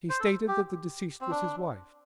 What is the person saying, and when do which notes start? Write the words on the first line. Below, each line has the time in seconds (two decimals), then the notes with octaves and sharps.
He stated that the deceased was his wife.
0.10 C5
0.20 A4
0.48 G4
1.21 C4
1.31 D4